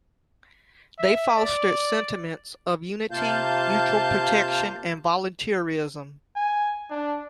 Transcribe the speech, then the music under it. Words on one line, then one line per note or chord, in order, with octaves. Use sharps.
They fostered sentiments of unity, mutual protection, and volunteerism.
E5
D5
C3 A#3 F4 F5 A5 G6
G#5
D4